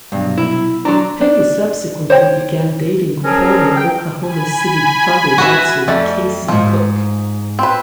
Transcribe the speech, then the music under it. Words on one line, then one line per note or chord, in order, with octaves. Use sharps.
Penny subsequently began dating former Oklahoma City Thunder dancer Kaci Cook.
C2 G2 B2 F#3
E4
F#3 D4 A#5 C6
D4
C5 C#5 G5
F3 F#3 C#4 G#4 A#4 C#5
G5
G#5 B5
F#4 E5
F2 A3 D5
F2 G#2 F3
C4 B4